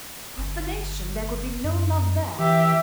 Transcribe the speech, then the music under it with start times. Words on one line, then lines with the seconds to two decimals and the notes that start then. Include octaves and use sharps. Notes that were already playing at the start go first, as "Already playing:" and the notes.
Profanation! There could be no love there.
0.38 G1
1.64 F#2
2.39 E3 G4 E5